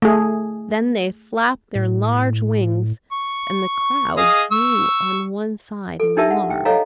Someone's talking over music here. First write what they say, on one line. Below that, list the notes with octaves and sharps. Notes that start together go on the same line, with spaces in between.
Then they flapped their large wings and the crowd drew on one side in alarm.
A3 G#4
A2
C#6
G#4 D#5 F5
C#6 E6
A4
D4 D#4 G4 A#4 E5 A5
F#5
G5
A4 C#5 D#5 F5 A#5